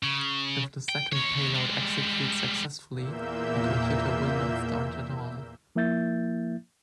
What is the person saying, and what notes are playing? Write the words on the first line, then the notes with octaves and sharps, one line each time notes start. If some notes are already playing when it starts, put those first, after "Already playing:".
If the second payload executes successfully, the computer will not start at all.
C#3
G5
D#2 C#5
G3 G#3
E2 A#2 A#3 E5 E6 G6
F3 A#3 E4 E5 G6 A6